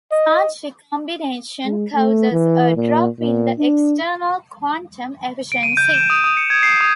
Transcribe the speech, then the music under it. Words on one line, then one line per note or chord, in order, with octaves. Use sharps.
Charge recombination causes a drop in the external quantum efficiency.
D#5
G#3
A3
E3
A#2
A#2
D4
D7
D#7
G6
E7
D#6
D#6
C#7
G#6
C7
D#6